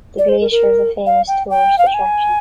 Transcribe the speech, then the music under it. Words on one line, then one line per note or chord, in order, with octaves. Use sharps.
The glacier is a famous tourist attraction.
D5
C5
A#4
A#4
F5
G5
G5
F5
G5
G#5